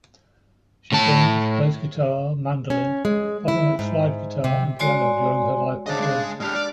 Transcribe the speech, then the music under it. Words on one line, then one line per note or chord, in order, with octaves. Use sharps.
She sings, plays guitar, mandolin, bottleneck slide guitar and piano during her live performances.
A2 A5
C#4
G#3
E4
G#2
C3
G#3 F#4 C#5 D5 G#5 C6
C#3 D4 C5 D#5
G#3 G#4
G#3 D4 G4 F6
D5